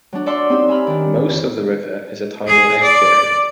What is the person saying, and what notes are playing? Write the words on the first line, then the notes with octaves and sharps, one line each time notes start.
Most of the river is a tidal estuary.
F#3 D4
D5 E5 F#5 A5 C6 D6
C4 D#4 G4
E5 G#5 A#5 B5 F6
D#3 D4
F2 C#3 G6
G#4
D5